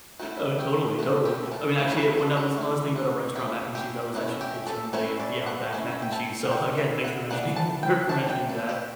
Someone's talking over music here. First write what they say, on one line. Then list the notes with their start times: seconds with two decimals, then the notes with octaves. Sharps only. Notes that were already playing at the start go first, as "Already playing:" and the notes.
Oh, totally, totally. I mean, actually it when I was when I was thinking about a restaurant mac and cheese, I was actually picturing the, uh, the Outback mac and cheese, so again, thanks for mentioning for for mentioning that,
0.19 A3 E4 F#4
0.59 G4
0.99 A3 E4 F#4
1.25 G4
1.52 A4
1.78 A3 E4
1.92 C#5
1.97 B4
2.17 A4
2.37 F#4
2.57 A3 E4
2.96 F#4
3.35 A3 C#4 E4 G4
3.75 G4
4.14 A3 C#4 E4 F#4
4.41 G4
4.67 A4
4.93 A3 C#4 E4 C#5
5.20 D5
5.46 F#5
5.73 A3 C#4 E4
6.02 G5
6.12 A5
6.45 F#5
6.51 E3 B3 D4 G5
6.77 E5
7.04 F#5
7.30 E3 B3 D4 F#5
7.56 A5
7.83 G5
8.09 E3 B3 D4 A5
8.30 G5
8.49 A4
8.69 G4